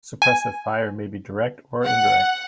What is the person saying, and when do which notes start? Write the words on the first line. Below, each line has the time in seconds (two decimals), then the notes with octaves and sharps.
Suppressive fire may be direct or indirect.
0.22 G#5
1.84 F#5